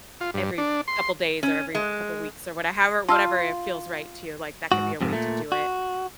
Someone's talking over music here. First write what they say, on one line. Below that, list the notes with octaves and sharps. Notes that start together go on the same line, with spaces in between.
every couple days or every couple weeks or whate however, whatever it feels right to you, like, that could be a way to do it
F4
G2
D4
C6
C#4
G#3
F4 A5 E6 F6
G#2 F#4
F2 G#2 C3
A#2 A3
F#4